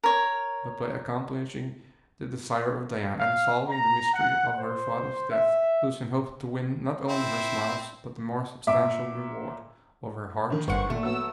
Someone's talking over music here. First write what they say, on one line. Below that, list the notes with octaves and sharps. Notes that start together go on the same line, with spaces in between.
But by accomplishing the desire of Diana, and solving the mystery of her father's death, Lucian hoped to win not only her smiles but the more substantial reward of her heart and hand.
A#4 C#5
F5
A#5
F#5
C5
E5
C4 E4
A#2 E5 D6
D3 D#3
G1 B4 C5 F#5 C#6 C#7
A#2 A3
F#3 B3 E6